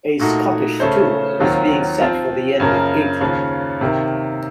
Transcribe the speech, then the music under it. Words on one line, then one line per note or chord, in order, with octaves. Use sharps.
A Scottish tour is being set for the end of April.
A#2 A3 D#4 F#4
C#3 A3 C#4 A4 C5
D#2 D#3 F#3 C4 F4
F3 C4 F4
F#2 C#3 F3 A#3
D#2 C#3 F3
C3 D#3 A#3